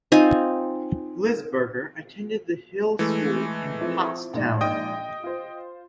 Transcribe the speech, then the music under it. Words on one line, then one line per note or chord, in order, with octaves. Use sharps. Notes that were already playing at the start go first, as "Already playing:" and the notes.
Lisberger attended The Hill School in Pottstown.
C4 D#4 F4 G#5
E3 G#3 A3
F3 C4 E4
A#1 G#2 D5
D#5 G5 D#6
F4 C5